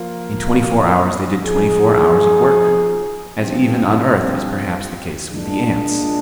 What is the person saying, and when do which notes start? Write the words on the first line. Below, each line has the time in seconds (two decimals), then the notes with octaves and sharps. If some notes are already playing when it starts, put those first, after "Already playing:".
In twenty-four hours they did twenty-four hours of work, as even on earth is perhaps the case with the ants.
Already playing: F3 A#3 F4
1.46 F3 C4 D#4 G#4
3.38 G2 F3 C4
5.30 A#2 G#3 D4